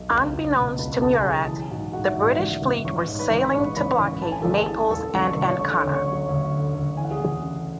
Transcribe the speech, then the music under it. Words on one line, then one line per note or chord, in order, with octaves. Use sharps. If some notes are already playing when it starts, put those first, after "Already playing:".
Unbeknownst to Murat, the British fleet were sailing to blockade Naples and Ancona.
Already playing: B1
C#2
C#2
B2
C#2 B4 B5
C#2 A4 A5
F#3 G#4 G#5
E3
G#5
G#2 F#4 F#5
G#2 F#4 F#5
E5
G#2 D5
A1
A1
A1 C#5 C#6
G#2
B4 B5
A1
B5
G#2 C#5 C#6
A1 B4 B5
A1
A2 A5
G#5
A1 A4 A5
G#4 G#5
E3
A1 A4 A5
A1
C#6
A1
C#5 C#6
D3 C#5 C#6
D2
C#5 C#6
F#3
D2
D3
D2
E3 G#5
F#5
G#4 G#5
E2
C#3